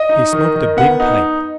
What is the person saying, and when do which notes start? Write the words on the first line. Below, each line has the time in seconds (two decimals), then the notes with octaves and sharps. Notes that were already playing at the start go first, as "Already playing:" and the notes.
He smoked a big pipe.
Already playing: D#5
0.09 D#4
0.32 D#3
0.55 D#3
0.77 B3 F#5
1.00 D#4